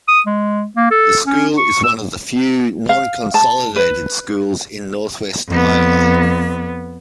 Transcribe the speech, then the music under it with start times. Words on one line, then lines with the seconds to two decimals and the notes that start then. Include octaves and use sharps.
The school is one of the few non-consolidated schools in northwest Iowa.
0.08 D#6
0.26 G#3
0.76 A#3
0.91 A4
1.26 C#4
1.57 C#6
1.83 E6
2.89 F5
3.34 A5
3.76 B4
5.48 F2 B3